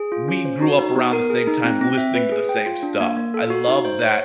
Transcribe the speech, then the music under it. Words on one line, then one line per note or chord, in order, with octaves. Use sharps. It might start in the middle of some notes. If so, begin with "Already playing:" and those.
we grew up around the same time listening to the same stuff." I love that
Already playing: G#4
F4
C#4
C5
F#4
D#4
B3
A#4
G#4
D#4
C4
C4
E5
B4
G#4
G5
F4
D4
A#3
A#3
A4
F#4
D#4
C5
C#5